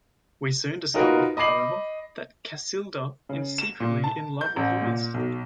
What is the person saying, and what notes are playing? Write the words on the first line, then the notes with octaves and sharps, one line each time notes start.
We soon discover, however that Casilda is secretly in love with Luiz.
D#4 F4 F#4 A#4 B4
D#5 B5 D6 C7 F#7
C#3
E7
A#2
A5
G6
A1
A#2
B1